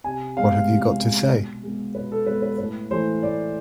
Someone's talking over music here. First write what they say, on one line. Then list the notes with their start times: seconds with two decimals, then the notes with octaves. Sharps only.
What have you got to say?
0.04 C3 G#5
0.37 G#3 B3 F5
0.68 C3
1.00 G#3 B3
1.31 B2
1.63 G#3 B3
1.95 B2 B4
2.12 A4
2.26 G#3 B3 B4
2.42 B4
2.58 A2 B4
2.91 E3 A3 C5
3.23 A2 D5